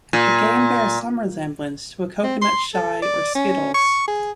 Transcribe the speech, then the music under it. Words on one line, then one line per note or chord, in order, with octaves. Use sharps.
The game bears some resemblance to a coconut shy or skittles.
A#2
C4
C6
A4
D5
C#4
C#6
G#4